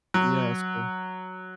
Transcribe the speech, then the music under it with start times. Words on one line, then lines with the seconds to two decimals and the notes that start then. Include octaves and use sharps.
Yeah, that's cool.
0.14 F#3